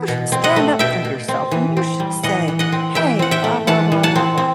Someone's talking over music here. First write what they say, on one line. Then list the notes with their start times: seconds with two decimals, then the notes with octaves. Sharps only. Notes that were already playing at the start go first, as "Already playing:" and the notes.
"You should stand up for yourself, and you should say, 'Hey, blah, blah, blah, blah, blah.'"
Already playing: E3 B3
0.08 B2
0.32 C4
0.44 D#5 F#5
0.56 A3
0.79 B2 E5 G5
1.05 B2
1.28 C4
1.51 E3
1.77 C4
2.00 G3
2.23 E3 D#5 F#5
2.48 E3
2.59 D#5 F#5
2.72 C4
2.95 E3 E5 G5
3.19 C4 F#5
3.31 E5 G5
3.44 A3
3.67 E3 F#5 A5
3.92 E3
4.03 F#5 A5
4.15 C4
4.38 C4